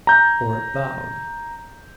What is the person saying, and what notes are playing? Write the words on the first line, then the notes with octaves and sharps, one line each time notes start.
Fort bowed.
A#5 G6